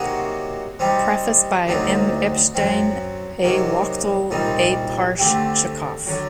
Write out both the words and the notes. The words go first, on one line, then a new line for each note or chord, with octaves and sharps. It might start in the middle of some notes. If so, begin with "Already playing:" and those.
Preface by M. Epshtein, A. Wachtel, A. Parshchikov.
Already playing: C3 F#3 A#3 D#4 F#4
C3 G3 C4 D#4 G4
D2 D3 F#3 C4 D#4
F#2 F#3 C4
C3 F#3 A#3 D#4
C2 A#2 G3 C4 D#4
D3 A3 C4 G4
D3 F#3